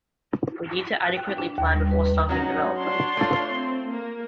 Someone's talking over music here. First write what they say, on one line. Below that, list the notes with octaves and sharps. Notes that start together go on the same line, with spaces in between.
We need to adequately plan before starting development.
F#6
G5
D4
D#2
G3
B4
F#3 C#4 D#4 F#4
D4 C#5 C6
A3 F4
C4
A#3